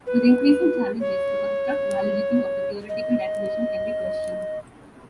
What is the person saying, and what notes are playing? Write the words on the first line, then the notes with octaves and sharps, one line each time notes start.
With increasing challenges, the construct validity of a theoretical definition can be questioned.
B4
C#5
D#5